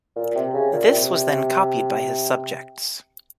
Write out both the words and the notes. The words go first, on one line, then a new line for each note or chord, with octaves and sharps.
This was then copied by his subjects.
A#2
C3
C#3
A#2
C3